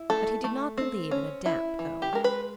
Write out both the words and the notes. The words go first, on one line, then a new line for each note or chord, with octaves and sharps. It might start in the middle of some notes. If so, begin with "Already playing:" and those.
But he did not believe in a damp home.
Already playing: E4
A3 A4
A3
C4
C#4
E4
E3
G4
G#3 A#4
B4